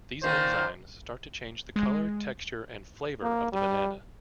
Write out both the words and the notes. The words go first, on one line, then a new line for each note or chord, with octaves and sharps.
These enzymes start to change the color, texture and flavor of the banana.
A#2 D#3 C5
G#3
A#3
G3